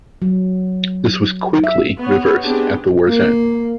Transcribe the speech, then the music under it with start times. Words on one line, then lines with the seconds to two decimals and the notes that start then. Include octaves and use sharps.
This was quickly reversed at the war's end.
0.22 F#3
1.64 E5
1.99 B3 C#5
2.44 B3 C4 D4 G4 G#4
3.08 A#3